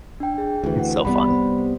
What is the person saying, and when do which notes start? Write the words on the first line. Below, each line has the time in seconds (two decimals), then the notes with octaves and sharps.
It's so fun.
0.20 D4 G5
0.38 G#4
0.64 D2 E3
0.79 F#5
1.05 C2 G3 B3 B5
1.28 C5